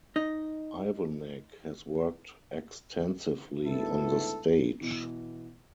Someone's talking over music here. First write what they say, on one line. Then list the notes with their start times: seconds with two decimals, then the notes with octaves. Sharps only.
Ivanek has worked extensively on the stage.
0.16 D#4 D#5
3.64 D2 G#2 B3 E4 A4
4.81 B2 E3